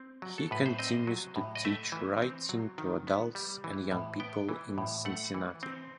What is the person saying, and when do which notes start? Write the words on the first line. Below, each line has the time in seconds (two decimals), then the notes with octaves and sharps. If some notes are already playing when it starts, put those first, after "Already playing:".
He continues to teach writing to adults and young people in Cincinnati.
Already playing: C4
0.22 F#3
0.38 A4
0.51 A2 B4
0.66 C5
0.79 C4 D#5
1.07 F#3
1.36 A2
1.55 D#5
1.65 A3 E5
1.92 E3
2.22 C4
2.49 F#3
2.78 D#3
3.07 B3
3.35 G3
3.64 E3
3.92 A2
4.20 B3 G5
4.49 E3
4.78 A2
5.05 A3 F#5
5.34 E3
5.63 C4